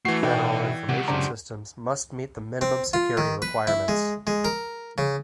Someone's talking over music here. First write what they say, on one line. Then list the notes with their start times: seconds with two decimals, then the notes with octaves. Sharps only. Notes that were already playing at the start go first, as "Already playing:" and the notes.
Federal information systems must meet the minimum security requirements.
0.05 E3 A3 F#4 C7
0.23 B2 D#4 E4 A4 D5 G5
0.88 C#2 C3 G4 F#5
1.08 F#2 C#3 D4 C5 A#5
2.61 C4
2.93 F4
3.17 D#3
3.42 B4
3.67 E4
3.88 G#3
4.27 G#3
4.45 A#4
4.98 C#3